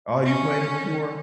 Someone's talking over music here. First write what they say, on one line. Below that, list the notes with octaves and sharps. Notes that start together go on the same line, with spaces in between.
Oh, you played it before?
C#4